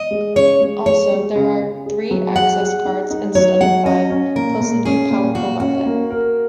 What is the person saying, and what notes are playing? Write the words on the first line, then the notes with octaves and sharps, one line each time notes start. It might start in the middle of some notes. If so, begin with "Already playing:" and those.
Also there are three access cards instead of five plus a new powerful weapon.
Already playing: D#5
G#3
C#3 C#5
G#3
G#3 C#5
G#3
C#3
C#3
G#4
F#3
G#4 F#5
G#4
D#4
D#4
F#3 C#5
F#3 F#5
C#4 D#5
C#4
A#2 A#4
A#2
C#4 G#4
A#2
A#2 F#4
C#4 F#4
A#3
A#4